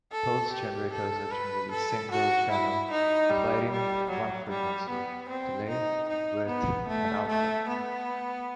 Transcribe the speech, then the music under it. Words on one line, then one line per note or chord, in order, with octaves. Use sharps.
Pulse generators are generally single-channel providing one frequency, delay, width and output.
A4
G4
A4
B4
A4
F#4
E4
D#4
G3
G3
F#3
G3
B3
C4
D#4
D#4
B3
A3
A3
B3